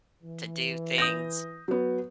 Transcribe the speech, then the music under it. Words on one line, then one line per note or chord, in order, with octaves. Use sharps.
to do things,
E3
D#6 G6 A#6
F#3 B3